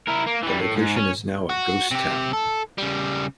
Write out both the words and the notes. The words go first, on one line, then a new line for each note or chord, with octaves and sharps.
The location is now a ghost town.
E4 A#4
A#3
E3 G3
A2
G#2
C#4
F#4
C3 G4
A4
C#3 G3